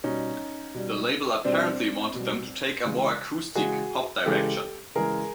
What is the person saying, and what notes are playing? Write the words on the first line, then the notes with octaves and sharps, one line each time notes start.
The label apparently wanted them to take a more acoustic, pop direction.
B2 G3 C#4 D#4
B2 G3
B2 G3 C4 D4
B2 G3
C#3 E3 G#3
C#3 E3 G#3 F#4 G#4
C#3 E3 G#3 G4 A4
C#3 E3 G#3 G#4 A#4